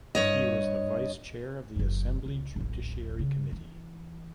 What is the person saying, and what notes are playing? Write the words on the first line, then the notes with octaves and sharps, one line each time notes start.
He was the Vice Chair of the Assembly Judiciary Committee.
G2 C#5 D#5
F#1 F#2
C#2
D1 A1
C#3
E3